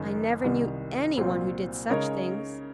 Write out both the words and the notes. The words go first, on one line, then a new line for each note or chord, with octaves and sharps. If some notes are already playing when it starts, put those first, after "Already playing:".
"I never knew any one who did such things."
Already playing: F#1 F#2 D#3
C2 C3 D#3
C2 A#2 F#3 C4 F4
C#3 G#3 D#4 A#4 C#5